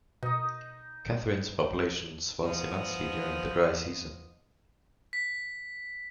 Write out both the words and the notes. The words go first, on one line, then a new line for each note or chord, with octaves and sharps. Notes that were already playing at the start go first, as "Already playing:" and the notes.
Katherine's population swells immensely during the Dry Season.
B2 D#4 D#5
F3 B3 D#5
B6